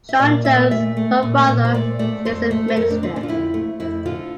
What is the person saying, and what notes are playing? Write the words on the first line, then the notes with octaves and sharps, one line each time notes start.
Shawn Jones, her father, is a minister.
E5
A#2 D5
A#2 E5
A3 E5
A3
A#2
A#2
C5
A3 D5
A3 D5
F2 C5
A3
C5
F2 A#4
D4
D3 C4
D4
F4
F2 E4
A3
F2 E4
D3 F4